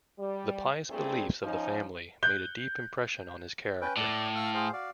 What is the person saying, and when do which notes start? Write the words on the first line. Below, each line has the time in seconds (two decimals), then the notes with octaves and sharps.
The pious beliefs of the family made a deep impression on his character.
0.18 G3
0.89 A#2 G3 A3 C4 D4 G#4
1.43 F3 C#4 D#4
2.23 F#6 G6 G7
3.82 C#4 B4 G5
3.97 A2 D5
4.36 F5 E6 F6
4.54 G#4 C5 F5
4.73 F#4 D5 F5